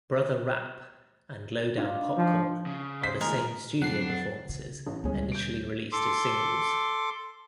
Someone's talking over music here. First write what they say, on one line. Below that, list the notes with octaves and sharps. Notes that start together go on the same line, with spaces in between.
"Brother Rapp" and "Lowdown Popcorn" are the same studio performances initially released as singles.
D4 D#4 F4
F3
C#3
C5 B6
D#2 A2 G#3 A#4
F2 F#3 D4 F#5 C7
C#3
A1
D2 G3 G#3 C#4
G6 D7
A4 C6 D6